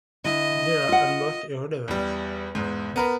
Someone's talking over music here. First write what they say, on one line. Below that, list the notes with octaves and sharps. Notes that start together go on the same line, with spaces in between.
They are almost irrelevant.
D3 E4 D#5
F4 F#5
E2 G3
E2 G#2
B3 A#4 B4